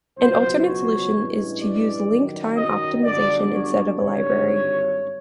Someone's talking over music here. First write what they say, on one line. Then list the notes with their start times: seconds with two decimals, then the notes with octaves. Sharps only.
An alternative solution is to use link time optimization instead of a library.
0.18 C#2 B2 F#3 C5
0.65 C#5
1.14 A1 G2 E3 G#3
1.60 D5
2.09 F#2 D#3 F#3
2.56 D#5
3.04 G1 F#2 D3 D5
3.51 C#5
3.99 G#1 G2 D3 C#5